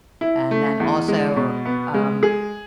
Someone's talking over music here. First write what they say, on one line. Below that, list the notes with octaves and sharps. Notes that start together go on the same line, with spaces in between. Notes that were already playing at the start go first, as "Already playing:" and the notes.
and then also, um,
E4
A3
E2
G#3
B2
B3
G#3
G#4